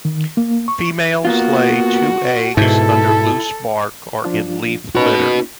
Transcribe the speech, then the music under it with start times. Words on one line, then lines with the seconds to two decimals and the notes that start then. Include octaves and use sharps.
Females lay two eggs under loose bark or in leaf litter.
0.05 D#3
0.37 A#3
0.68 C#6
1.25 A#3 B3 F4 F#4
2.57 G#2 B2 E4 A4
4.25 F3 D4 F4
4.95 A#3 C#4 D#4 F#4 B4